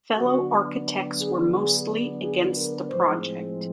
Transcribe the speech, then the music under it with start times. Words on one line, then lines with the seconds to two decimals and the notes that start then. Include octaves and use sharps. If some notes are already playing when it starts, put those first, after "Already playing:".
Fellow architects were mostly against the project.
0.17 D3 F#3 B3 D4 F#4
1.19 G#4
1.52 G#4
2.20 G#4
2.55 A#4
2.88 A2 F3 G#3 C4 C5